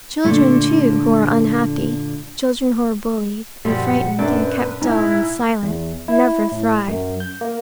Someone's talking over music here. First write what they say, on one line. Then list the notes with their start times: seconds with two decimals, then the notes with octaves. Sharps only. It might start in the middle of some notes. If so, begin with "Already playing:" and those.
Children, too, who are unhappy; children who are bullied, and frightened, and kept dull and silent, never thrive.
0.24 A#2 D3 A3
3.65 F#2 A#2 F3 G3 F#5
4.19 F#2 D4 B4
4.82 G#2 E4
5.63 E2
6.08 E4
6.52 A2
6.88 F#2
7.20 G6
7.41 A#3